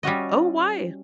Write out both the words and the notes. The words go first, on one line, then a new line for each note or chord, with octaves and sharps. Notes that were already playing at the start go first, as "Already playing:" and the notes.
Oh, why?
G3 C#4 F#4 D#5